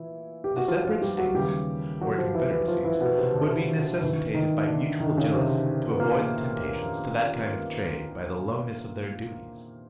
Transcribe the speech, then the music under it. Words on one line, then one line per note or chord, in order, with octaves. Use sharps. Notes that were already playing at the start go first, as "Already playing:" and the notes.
The separate States or confederacies would be necessitated by mutual jealousy to avoid the temptations to that kind of trade by the lowness of their duties.
Already playing: A#2 E3 E4
G4
F#4
F3 F4
F3 F4
G3 G4
F#3 F#4
D#2 C#3 E3 G3 G4
F#3 F#4
F3 F4
E3 E4
E3 E4
F3 F4
E3 E4
B2 B3
C3 C4
D3 D4
D2 C3 D#3 E3 E4
D#3 D#4
D3 D4
D#3 D#4
C#3 C#4
C3 C4
B3
A#2 A#3